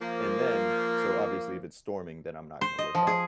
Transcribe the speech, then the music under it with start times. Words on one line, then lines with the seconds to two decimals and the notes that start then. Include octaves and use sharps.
And then so, obviously, if it's storming, then I'm not gonna work out.
0.02 F3 A#3
2.61 C5
2.78 D#5
2.95 F3
3.07 G#4